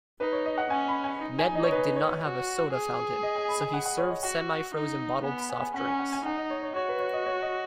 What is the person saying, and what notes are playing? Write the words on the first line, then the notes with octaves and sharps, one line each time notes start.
Knedlik did not have a soda fountain, so he served semi-frozen bottled soft drinks.
D#4 B4
C#5
D#5
F#5
C#4 G#5
B5
G#5
D#4
G#5
D#5
C#5
B4
C#5
F#4
G#4
D#5
G#5
B5
G#5
F#5
F#5
C#5
D#5
F#4 F#5
D#4
B3 G#5
B5
G#5
G#5
C#4 F#5
G#5
F#5
G#5
D#4 F#5
D#5
C#5
C#5
F#4 C#5
B4
C#5
D#5
C#5
D#5